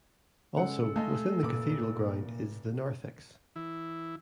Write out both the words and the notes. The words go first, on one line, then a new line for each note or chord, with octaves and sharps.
Also, within the cathedral ground is the Narthex.
C#3 G#3 A4 F#5
G#3 A3 D#5 F5 A5
F1 A#2 D6
E3 E4